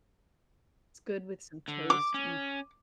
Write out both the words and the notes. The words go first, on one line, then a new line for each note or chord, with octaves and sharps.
It's good with some toast. Mm.
D3
D6
C#4